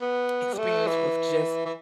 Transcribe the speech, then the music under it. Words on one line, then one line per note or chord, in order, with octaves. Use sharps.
experience with just
B3
G3
A3
E3
E3